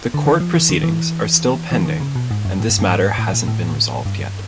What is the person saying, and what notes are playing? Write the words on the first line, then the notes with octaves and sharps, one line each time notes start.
The court proceedings are still pending and this matter hasn't been resolved yet.
D3
D#3
F3
E3
D#3
E3
E3
D#3
C#3
B2
G#2
F#2
A2
G#2
G2
G#2
A2
A#2
A2
G2